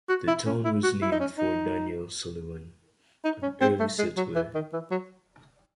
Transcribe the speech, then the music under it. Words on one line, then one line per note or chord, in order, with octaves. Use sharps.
The town was named for Daniel Sullivan, an early settler.
F#4
E4
C#4
E4
F#4
E4
D#4
C#4
D#4
D#4
C#4
C4
A3
G#3
F#3
E3
D#3
E3
F#3